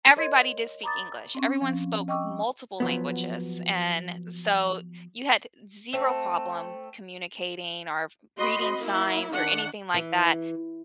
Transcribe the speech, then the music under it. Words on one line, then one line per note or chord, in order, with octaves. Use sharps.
everybody did speak English, everyone spoke multiple languages, and so you had zero problem communicating or reading signs or anything like that.
A#4 C#5 D#5 C6 G#6
A#5 B5 D6 D#6 A6
C4 C#4
F3
D#5 G5 C#6 D6 E6
F3 F#3 B3
A3 C4
C4 F#4 D#5 B5 C6
A#3 E4
D#3 D4 F#5
E3